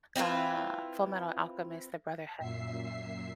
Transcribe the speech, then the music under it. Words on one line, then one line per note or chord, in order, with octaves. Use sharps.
uh, Fullmetal Alchemist: The Brotherhood,
C4 E4 F4 B4
F#2 A#2 E5 C7